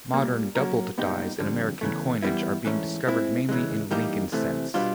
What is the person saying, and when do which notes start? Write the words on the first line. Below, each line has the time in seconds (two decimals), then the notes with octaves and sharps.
Modern doubled dies in American coinage are being discovered mainly in Lincoln cents.
0.14 A#2 G3 A#3
0.55 F#3 A#3 C#4 F#4 A#4
0.98 A#2 G3 B3 D#4 G4
1.39 F2 D3 G3
1.81 E2 C#3 E3 A3
2.23 E3 G3 B3 E4
2.65 G#2 E3 A3 C#4
3.07 G#3 C4 E4
3.49 C#3 E3 G#3
3.91 E3 G3 A#3 D#4 G4
4.32 C3 E3 A3
4.74 B2 G3 B3 D4 F4